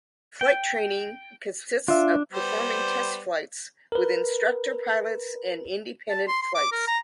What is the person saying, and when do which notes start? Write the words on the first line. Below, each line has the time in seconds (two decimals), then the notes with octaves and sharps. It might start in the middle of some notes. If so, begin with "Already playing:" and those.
Flight training consists of performing test flights with instructor pilots and independent flights.
0.41 G5
1.88 D4 F4 E5
2.33 G3 B3 C5
3.92 A#4 B4
6.10 A5
6.28 C6
6.42 C6
6.55 D6
6.72 A#4
6.88 A#5